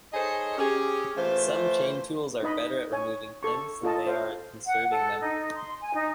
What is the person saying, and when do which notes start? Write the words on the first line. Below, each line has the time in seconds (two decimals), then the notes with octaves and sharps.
Some chain tools are better at removing pins than they are at inserting them.
0.13 D#4 G#4 A4 C5 C#5 D#5
0.58 C#4 G4 G#4
1.17 E3 A3 F4 C5
2.43 D#4 B4 D#5 B5
2.92 C#5 G#5
3.43 A4 C#6
3.83 F4 A4 D#5 A5
4.07 C5 F5
4.67 F#5
4.91 A4
5.21 D#4
5.54 C6
5.82 G#5
5.94 D#4